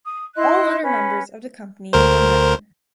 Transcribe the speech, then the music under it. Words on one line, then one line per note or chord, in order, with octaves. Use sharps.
All other members of the company were men.
D#6
E4 D#5 C6 F#6
C#4 B4
D2 A#4 C5